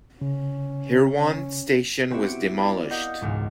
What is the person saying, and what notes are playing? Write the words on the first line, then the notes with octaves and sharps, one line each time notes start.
Hirwaun station was demolished.
C#3 C#4
B3 C4 E4 F#4 G4 E5
C#7 D7
D5
A#4 D#5 F5 F#5 D#6 G6
E1 C#2 G#2 F6